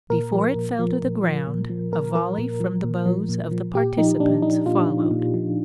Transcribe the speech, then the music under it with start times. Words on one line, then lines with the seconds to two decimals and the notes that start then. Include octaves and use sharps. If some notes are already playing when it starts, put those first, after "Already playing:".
Before it fell to the ground a volley from the bows of the participants followed.
0.10 A#2 A#4
0.32 F3
0.55 A#2
0.79 F3
1.02 A#2
1.24 F3
1.47 A#2
1.70 F3
1.92 A#2 A#4
2.15 F3 A#4
2.38 A#2
2.60 F3
2.84 A#2
3.06 F3
3.29 A#2
3.51 F3
3.74 A#2 G4
3.98 F3 D#4
4.20 A#2 D4
4.42 F3 D#4
4.66 A#2 F4
4.88 F3
5.11 A#2
5.34 F3